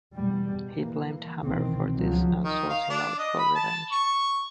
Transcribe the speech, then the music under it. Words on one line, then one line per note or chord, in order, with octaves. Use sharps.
He blamed Hammer for this, and sought him out for revenge.
E2 B2 G3
E3 A#3
C2 B2 D#3 E3 C4
C#2 F3 F#3
D#3
F5
D4
D#5
B5
A5
C#6